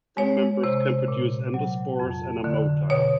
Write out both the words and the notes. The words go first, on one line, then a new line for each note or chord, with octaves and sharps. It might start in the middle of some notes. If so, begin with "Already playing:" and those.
Some members can produce endospores and are motile.
G#3 C#5
C3 C5
A#2
F#3
F2
D3
B2 C#5